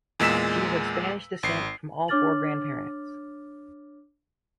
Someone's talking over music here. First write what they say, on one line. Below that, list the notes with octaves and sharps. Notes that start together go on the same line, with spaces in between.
She is of Spanish descent from all four grandparents.
E2 A#2 G#3 E6 B6 E7
G#1 C7
D4 C#5 D6 F6 A6 F#7